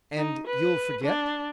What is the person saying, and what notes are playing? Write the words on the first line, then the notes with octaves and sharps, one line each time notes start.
"And you'll forget?"
D#4
B4
D4